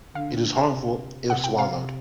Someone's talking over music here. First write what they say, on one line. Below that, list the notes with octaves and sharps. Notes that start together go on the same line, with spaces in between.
It is harmful if swallowed.
D3 F5
C3
C3 F#5
G5
C3 F5